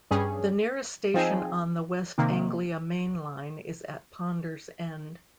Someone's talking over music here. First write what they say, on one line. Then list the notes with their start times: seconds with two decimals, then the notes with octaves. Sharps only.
The nearest station on the West Anglia Main Line is at Ponders End.
0.11 G2 G3 C#4 G#4
1.14 F3 C4 D#4 G#4
2.18 C3 D#3 A#3